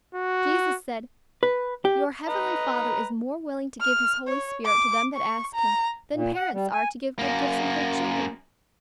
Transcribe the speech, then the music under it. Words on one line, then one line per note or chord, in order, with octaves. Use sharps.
Jesus said, 'Your Heavenly Father is more willing to give His Holy Spirit to them that ask Him, than parents are to give good gifts unto their children.
F#4
B4
G4
B4 D#5 A#5
F6
C#5
D6
C#6
A#5
A#2
F#5
G3
G#5
F#2 A#3